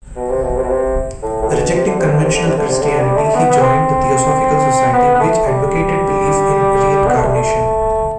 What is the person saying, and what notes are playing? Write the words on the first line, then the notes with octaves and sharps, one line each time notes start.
Rejecting conventional Christianity, he joined the Theosophical Society which advocated belief in reincarnation.
B2
C3
B2
C3
B2
C3
A2
A2
B2
C3
D3
C3
D3
C3
D3
C3
D3
C3
D3
G3
A3
B3
B3
C4
B3
B3
A3
G3
B3
A3
G3
A3